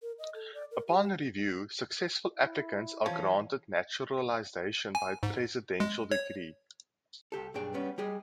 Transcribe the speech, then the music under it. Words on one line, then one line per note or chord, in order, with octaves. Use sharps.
Upon review successful applicants are granted naturalization by presidential decree.
A#4
D#5
A4
D5
A#4
G4
E4
E3 F3 C#4
G#5
G#2
G#3
C#5
C2 G4 A4
B1 G2 D4 G#4 G5
G3 B3 C#4
G3 G4 G#4 D#5